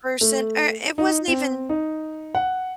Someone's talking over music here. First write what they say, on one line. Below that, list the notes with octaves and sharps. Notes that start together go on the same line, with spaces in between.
person, or it wasn't even
A3
D#4
C4
D#4
F#5